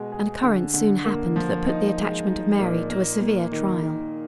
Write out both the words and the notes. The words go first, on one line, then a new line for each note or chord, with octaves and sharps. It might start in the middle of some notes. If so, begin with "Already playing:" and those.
An occurrence soon happened that put the attachment of Mary to a severe trial.
Already playing: B2 G#3
G#4
D3
D3
A#3
F3
D#4
G#3
D#4
A#2
A#3
A#3
D#3
D#3